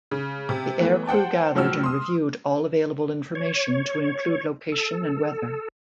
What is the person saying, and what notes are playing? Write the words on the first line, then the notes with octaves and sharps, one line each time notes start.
The aircrew gathered and reviewed all available information to include location and weather.
C#3
C3
E3 A3 B3
C5 F#5 G5 A5
A2 F3 F#3 F#4 E6 F6
C6 D#6
C#5
A4